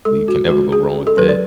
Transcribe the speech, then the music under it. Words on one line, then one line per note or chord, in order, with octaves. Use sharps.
Well, you can never go wrong with that.
G#3 A4
D4 F#4
G#3 F#4
D4 G#4
C#4
A4
F#3 B4
D5